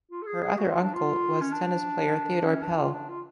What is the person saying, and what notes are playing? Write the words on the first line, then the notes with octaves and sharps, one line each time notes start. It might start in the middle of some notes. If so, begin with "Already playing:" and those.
Her other uncle was tennis player Theodore Pell.
F4
A4
G#4
G#4
F#4
F4
D4
F4
C#4
D4
C#4
D4
F4
D4
F4